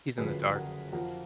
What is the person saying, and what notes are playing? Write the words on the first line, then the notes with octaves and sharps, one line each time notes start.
He's in the dark, yeah.
F#1 F2 D3 F#3 G#4 B4
F#4 A#4
F2 F3 F#4 A#4